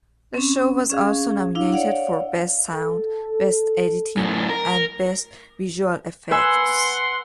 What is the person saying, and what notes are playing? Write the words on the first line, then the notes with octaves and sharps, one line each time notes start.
The show was also nominated for Best Sound, Best Editing, and Best Visual Effects.
C4 C#4
C#4 G#4 F5
D4 E4 F5
C#5 D5 F5 F#5
A4
F#2 A2
A#4
B4 F#5 G#5 C6 E6